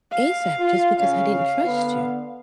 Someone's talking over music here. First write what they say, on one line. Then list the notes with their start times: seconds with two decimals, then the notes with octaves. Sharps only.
ASAP just because I didn't trust you.
0.12 F5
0.58 F4
0.99 C#3 C#4 F5
1.65 D3 B3